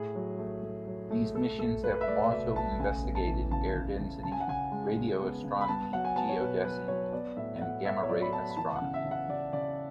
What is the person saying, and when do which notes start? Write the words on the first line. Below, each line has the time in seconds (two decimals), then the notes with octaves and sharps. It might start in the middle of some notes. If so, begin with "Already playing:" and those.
These missions have also investigated air density, radio astronomy, geodesy, and gamma ray astronomy.
Already playing: A2 G#4
0.15 F#3
0.39 A3
0.63 A3
0.87 F#3
1.10 A3
1.35 A3 A4
1.59 A3 A4
1.83 A3 B4
2.01 E5
2.07 A3 D5
2.31 B2 E5
2.55 A3 A5
2.79 C#3 G#5
3.03 B3
3.15 A5
3.27 E3
3.51 C#3 A5
3.75 C#3
4.00 C#3
4.23 C#3 A5
4.32 G#5
4.40 F#5
4.48 C#3 G#5
4.71 G#3
4.96 C#3
5.21 B3
5.44 C#3
5.61 B5
5.68 B3 A5
5.93 F#3 F#5
6.05 G#5
6.16 B3 A5
6.29 C#5
6.40 B2 B4
6.65 F#3 B4
6.88 F#3 C#5
7.12 B3 D5
7.37 A2 E5
7.61 A2 F#5
7.85 B3 E5
8.03 C#5
8.09 F#3 D5
8.22 B5
8.33 B3 A5
8.50 B5
8.57 E3 A5
8.76 F#5
8.82 C#3
8.94 E5
9.05 C#3
9.11 F#5
9.29 C#3 D5
9.53 C#3 D5